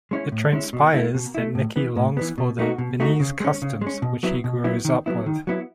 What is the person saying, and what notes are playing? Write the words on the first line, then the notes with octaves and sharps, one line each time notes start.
It transpires that Niki longs for the Viennese customs which he grows up with.
G#3 C#4 E4
A2
G#3 C#4 E4
B2
A3 E4
B2
A3 E4
A2
E3 B3
A2
E3 B3
B2
A3 D#4 F#4
B2
A3 D#4 F#4
C#3
G#3 C#4
C#3
G#3
C#4
B2
F#3 B3 E4
B2
F#3 B3 E4
D#3
F#3 B3 E4
D#3
F#3 B3 E4